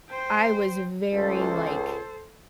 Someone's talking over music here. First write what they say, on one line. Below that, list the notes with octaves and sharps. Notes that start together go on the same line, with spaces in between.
I was very, like,
C5 G5
C#2 A4 C5